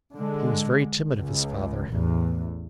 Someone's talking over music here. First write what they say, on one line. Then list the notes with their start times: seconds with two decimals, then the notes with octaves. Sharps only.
He was very timid of his father.
0.14 D3 G#3
1.15 C#2
1.90 A1 E2